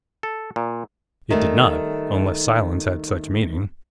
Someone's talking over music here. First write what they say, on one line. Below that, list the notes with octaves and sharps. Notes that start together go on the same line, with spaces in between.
It did not,--unless silence had such meaning.
A4
A#2
D#3 G3 A3